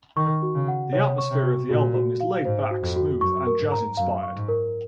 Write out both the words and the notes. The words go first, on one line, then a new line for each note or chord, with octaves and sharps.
The atmosphere of the album is laidback, smooth, and jazz-inspired.
D#3 C#6
F#4
C#3
F#5
C3 C#5
C#6
C3
F#4
A#2 F#4
F#4
F5
G#2 C5
F#4
F2
F#4
F#2 C#6
A#4
G#2
A#5
F#2 F5
C#6
G#2
A#4